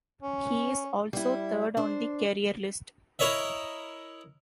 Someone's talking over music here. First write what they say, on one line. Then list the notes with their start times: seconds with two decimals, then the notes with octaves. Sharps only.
He is also third on the career list.
0.22 C#4
1.13 G3 E4
1.77 D4 C5
3.19 E4 A#4 C#5 D#5 E5